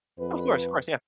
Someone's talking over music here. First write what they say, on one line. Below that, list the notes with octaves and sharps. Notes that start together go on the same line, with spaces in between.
Of course, of course, yeah.
F2 B4